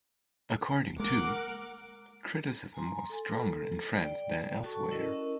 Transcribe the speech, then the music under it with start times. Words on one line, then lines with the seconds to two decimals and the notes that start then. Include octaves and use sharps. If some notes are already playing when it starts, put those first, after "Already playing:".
According to ', criticism was stronger in France than elsewhere.
1.00 G#3 A#3 A#4 F#5 D6
2.74 G#5 A#5 C6
3.10 A4
3.97 D5 G5
4.63 F#4 A4 A5 C#6
4.91 C#4 E4 A#4 D#5